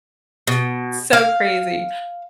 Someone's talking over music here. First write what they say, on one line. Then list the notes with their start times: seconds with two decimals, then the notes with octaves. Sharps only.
It's so crazy.
0.47 B2
1.13 F5